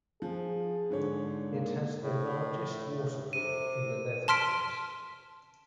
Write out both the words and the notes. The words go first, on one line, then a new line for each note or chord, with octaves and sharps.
It has the largest water wheel in the Netherlands.
F3 G#4
G#2 D3 C#5
A#3
A2
C3 D#7
A5 C6 F6 B6 D7